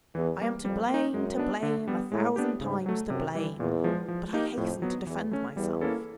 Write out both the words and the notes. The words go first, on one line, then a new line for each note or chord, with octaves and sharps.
I am to blame, to blame, a thousand times to blame, but I hasten to defend myself.
E2 E3
G3 A#3
F2 G3
A#3 D#4
F#2 G#3
B3 D4
D3
G3 B3
A2 G#3
B3 D4 G4
G#2 C#3
F#3 A3
F#2 C3
E3 G3
E2 A#2
F3 G#3
F3
A#3 D#4 G4
F2 A2
F#3 B3
E2 E3
A3 C#4
E2 G3
A#3 C#4 E4 A4